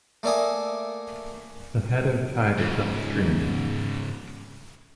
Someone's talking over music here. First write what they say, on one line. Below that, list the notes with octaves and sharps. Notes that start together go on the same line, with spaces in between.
The head of tide is upstream.
A3 A#3 D5 E5 G#5 D#6
G#2 C#3